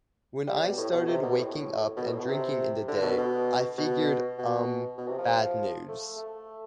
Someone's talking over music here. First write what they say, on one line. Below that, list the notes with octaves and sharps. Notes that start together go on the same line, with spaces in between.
When I started waking up and drinking in the day, I figured-umm, bad news.
G3
B2
A2
B2
C3
B2
A2
B2
A2
B2
C3
D3
B2
B2
B2
B2
B2
C3
F3
A3
A3